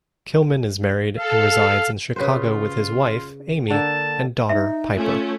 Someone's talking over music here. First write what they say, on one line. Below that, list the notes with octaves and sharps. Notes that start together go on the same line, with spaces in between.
Kilman is married and resides in Chicago with his wife, Aimee, and daughter, Piper.
A4 F5
C#3 F4 B4 C5
D3 A#3 A5
D#4 E5
A3 C#4 F4